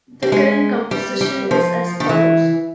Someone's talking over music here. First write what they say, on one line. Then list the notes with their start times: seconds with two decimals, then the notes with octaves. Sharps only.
The current composition is as follows.
0.22 G3
0.32 G#3
0.91 G3
1.21 G3
1.51 F3
2.00 D#3
2.09 E3